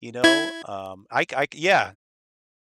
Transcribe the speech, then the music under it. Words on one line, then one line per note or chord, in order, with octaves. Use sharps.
you know? Um, I c I c yeah,
E4 G#6